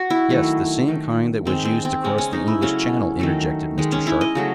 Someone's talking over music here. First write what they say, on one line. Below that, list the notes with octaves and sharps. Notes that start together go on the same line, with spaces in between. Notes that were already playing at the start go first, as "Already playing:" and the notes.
"Yes, the same kind that was used to cross the English Channel," interjected Mr. Sharp.
Already playing: F#4
E4
D#3 F#3 A3
D#3 A3
D#3 G#3 C4
C4
C4
C#3 G#3 C#4
C#4
D#4
E4
C#3 F#3 A3 C#4
D#3 F#3 A3
D#3 G#3
C#4
E4
D#5
C#3 F#3 A3